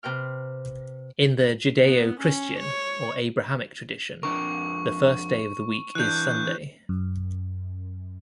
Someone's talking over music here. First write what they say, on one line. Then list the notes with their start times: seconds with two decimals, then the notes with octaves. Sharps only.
In the Judeo-Christian or Abrahamic tradition, the first day of the week is Sunday.
0.03 C3 B4 G5 F6
1.80 B3
2.20 C#4
2.59 C#5
4.23 F2 D4 A#4 C#6
5.95 E3 D4 F#6 G6
6.89 F#2